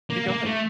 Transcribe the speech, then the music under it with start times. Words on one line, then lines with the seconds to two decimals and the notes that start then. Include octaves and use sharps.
kay, go ahead.
0.10 A#3
0.28 A#3
0.46 A3